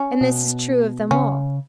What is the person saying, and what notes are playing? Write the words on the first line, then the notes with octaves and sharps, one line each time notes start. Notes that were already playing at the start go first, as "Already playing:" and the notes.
And this is true of them all.
Already playing: C#4
B2
C#3 C#4